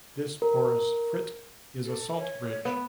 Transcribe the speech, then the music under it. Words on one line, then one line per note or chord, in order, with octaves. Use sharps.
This porous frit is a salt bridge.
A#4
A4
C#5
B3